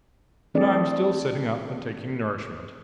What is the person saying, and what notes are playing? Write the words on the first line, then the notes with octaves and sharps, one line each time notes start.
And I'm still sitting up and taking nourishment.
E3 A3 C4 D4 G#4 D5